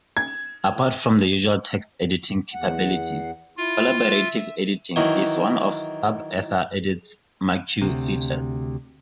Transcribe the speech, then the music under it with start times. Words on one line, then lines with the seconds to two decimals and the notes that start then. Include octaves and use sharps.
Apart from the usual text-editing capabilities, collaborative editing is one of SubEthaEdit's marquee features.
0.17 G#6
2.54 E2 F#5
3.57 E4 F4
4.11 E5
4.96 D#3 E3 F#3
7.82 D2 C3